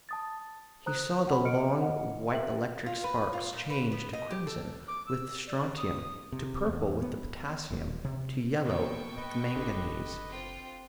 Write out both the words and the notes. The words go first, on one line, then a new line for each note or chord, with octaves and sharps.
He saw the long white electric sparks change to crimson with the strontium, to purple with the potassium, to yellow with the manganese.
A5 D#6 A6
C5 A#5 D#6 F#6
F#5 B5
A4 D#5 F6 C#7 D7
D#5 F#5
A#4 E5 G5 F#7
F4
B4
F4
A#2
B4
B3
D#5
G4
A4
D6
E6
D5
D#6
C3
E2
B3
D#1
C3
B2 A#3 A4 G5 C#6
B4 D#5
F#1 D3 G4
C4 F4 G5